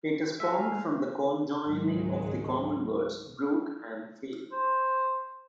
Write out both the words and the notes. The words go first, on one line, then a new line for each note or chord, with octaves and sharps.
It is formed from the conjoining of the common words "brook" and "field".
G#3 F#4 E5 G#5
F5
C#2 G#2 D#3 F#3 G#3
C5